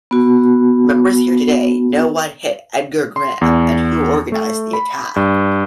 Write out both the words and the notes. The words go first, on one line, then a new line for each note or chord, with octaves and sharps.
Members here today know what hit Edgar Graham, and who organised the attack.
B3 F#4
C6
E2
A3
B5
G2